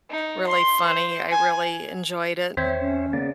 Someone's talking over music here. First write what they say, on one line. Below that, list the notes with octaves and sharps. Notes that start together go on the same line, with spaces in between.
really funny, I really enjoyed it.
D#4
C6
C5
G#5
E2 D#3 C4 C5 C#5 E5
C#4
C#3 A#3 B3 D5